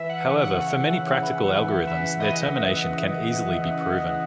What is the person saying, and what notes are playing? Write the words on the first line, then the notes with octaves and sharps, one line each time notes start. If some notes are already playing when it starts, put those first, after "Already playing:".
However, for many practical algorithms, their termination can easily be proven.
Already playing: E3 E5
F#5
C#3
F#5
C#3
C#3
E3
E3
E3 E5
E3 D#5